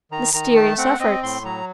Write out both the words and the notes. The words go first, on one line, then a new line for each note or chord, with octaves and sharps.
Mysterious efforts!
D#3 A#5
D#3 A#5
A3 A5
C4 F#5
C4 D#5
A2 C6
F#3 A#5